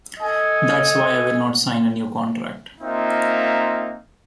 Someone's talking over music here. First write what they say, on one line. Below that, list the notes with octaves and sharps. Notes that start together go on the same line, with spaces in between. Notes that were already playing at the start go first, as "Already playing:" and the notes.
That's why I will not sign a new contract.
A4 D#5 G#5
A#3 C4 D#4 F4 E5